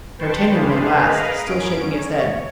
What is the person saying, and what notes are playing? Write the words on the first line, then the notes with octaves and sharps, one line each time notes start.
D'Artagnan went last, still shaking his head.
B4 G5 A5 C6 C#6
A3 D4 G#4 B4 C5 F5
G#4 A#4 B4 D#5 F5 A#5
F#2 C#4 D7
C#5